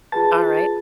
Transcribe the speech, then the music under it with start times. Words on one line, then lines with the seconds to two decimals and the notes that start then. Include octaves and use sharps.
All right.
0.12 F4 G#4 B4 A5 A6